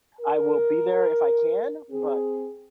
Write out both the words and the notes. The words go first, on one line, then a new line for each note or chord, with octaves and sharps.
I will be there if I can, but"
A#4
C4 G#4